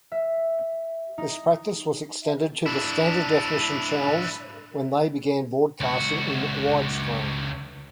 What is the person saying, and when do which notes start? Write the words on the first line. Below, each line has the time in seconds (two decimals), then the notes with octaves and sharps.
This practice was extended to the standard-definition channels when they began broadcasting in widescreen.
0.12 E5
1.18 D#4
2.66 D4 E4
5.81 C#2 F#4